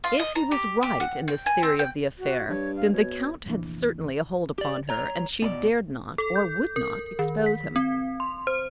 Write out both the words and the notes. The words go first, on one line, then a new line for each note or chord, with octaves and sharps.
If he was right in this theory of the affair, then the Count had certainly a hold upon her, and she dared not or would not expose him!
F4
D#5
A#5
G4
G4
F#5
G5
G#5
C4
G5
F#4
G2 C#5
F5
B2 C#5
F1 A#1 E3 D4
G4 D5
C#5 A#5
B2 B4 D5
A4
G6
A#4
D#3
B6
C4
C6
C5